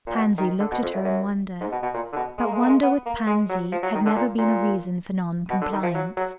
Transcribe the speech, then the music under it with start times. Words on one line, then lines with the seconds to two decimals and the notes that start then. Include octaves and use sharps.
Pansy looked at her in wonder; but wonder with Pansy had never been a reason for non-compliance.
0.07 A#2
0.15 B2
0.38 D#3
0.60 D3
0.72 B2
0.83 F2
0.94 F#2
1.04 F#2
1.61 G#2
1.72 B2
1.83 B2
1.94 A#2
2.13 D3
2.16 B2
2.38 G#3
2.46 A#3
2.53 G#3
2.61 A#3
2.67 G#3
2.83 B3
3.06 A#3
3.27 G#3
3.49 F#3
3.72 F3
3.83 F#3
3.95 D#3
4.06 D3
4.16 A#2
4.38 A#2
5.50 B2
5.61 D3
5.73 D#3
5.83 F3
5.95 F#3
6.17 F#3